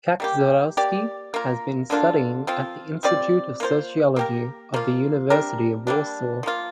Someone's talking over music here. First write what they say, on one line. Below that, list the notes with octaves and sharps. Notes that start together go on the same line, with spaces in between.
Kaczorowski has been studying at the Institute of Sociology of the University of Warsaw.
G3 A#3 G4
A#3 G4 D5
A#3 F4 A#4
D3 A#3 D4 F4
F3 C4 F4
G3 C4 F4 D5
A#3 F4 C5
A#3 G4 A#4
F3 A#3 F4
C3 G3 D4 A#4
G3 A#3 D4
F3 A#3 F4